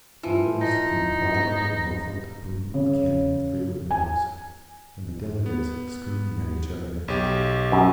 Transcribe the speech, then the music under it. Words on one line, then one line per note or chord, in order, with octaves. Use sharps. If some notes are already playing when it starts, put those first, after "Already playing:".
Always the methodical muffled boom of cannon through the windows, and the delegates, screaming at each other....
E3 F3
D#4
B3
C#3
G#5
B3
B1 G4
F#2